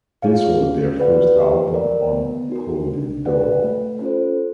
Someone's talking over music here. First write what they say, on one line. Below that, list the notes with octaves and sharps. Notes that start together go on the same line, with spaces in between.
This was their first album on Polydor.
F4 G#4 C#5 F5
C#4
F#4 B4 D5 F#5
G4
A#4 D5 F#5
B3
D#4 F#4 A#4
D4
F#4 B4 D5 F#5
A3
C#4 F4 A4 C5